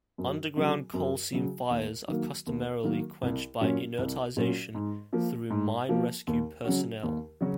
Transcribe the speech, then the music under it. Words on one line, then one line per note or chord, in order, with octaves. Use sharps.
Underground coal seam fires are customarily quenched by inertization through mine rescue personnel.
F#2
C#3 F#3
F#2
C#3 F#3
D#2
D#3 F#3 A#3
D#2
D#3 F#3 A#3
C2
A#2 F#3 C#4
C2
A#2 F#3 C#4
G#2
F3 A#3
G#2
F3 A#3
D#2
C#3 F#3 C#4 F#4
D#2
C#3 F#3 C#4 F#4